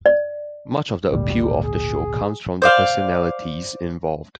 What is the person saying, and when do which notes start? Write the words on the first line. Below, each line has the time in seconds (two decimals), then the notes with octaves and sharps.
Much of the appeal of the show comes from the personalities involved.
0.06 D5
1.11 G#1 D2 A#2 G3
1.64 G#4
2.62 C5 D5 F5